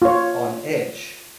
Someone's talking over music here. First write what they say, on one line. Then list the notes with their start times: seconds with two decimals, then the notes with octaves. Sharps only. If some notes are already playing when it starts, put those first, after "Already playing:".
on edge
0.02 F4 C#5